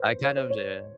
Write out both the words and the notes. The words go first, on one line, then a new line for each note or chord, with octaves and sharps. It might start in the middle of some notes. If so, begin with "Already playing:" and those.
I kind of d
Already playing: B4 C5
C#5
C5
C#5